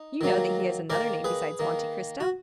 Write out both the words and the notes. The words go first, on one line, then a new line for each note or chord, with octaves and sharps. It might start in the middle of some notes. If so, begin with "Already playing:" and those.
"You know that he has another name besides Monte Cristo?"
Already playing: D#4
D#3 F#3 A#3
D#3 A#3 A#4 D5
G#4 B4
D#3 A#3
F#4